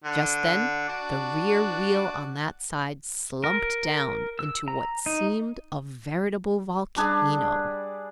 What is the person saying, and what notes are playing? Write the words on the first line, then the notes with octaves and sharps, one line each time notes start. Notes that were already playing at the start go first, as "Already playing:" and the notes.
Just then the rear wheel on that side slumped down into what seemed a veritable volcano.
D3
D4 F#4 D6
A#4
E6
A#5
D#4
G3 D4 G#4 B5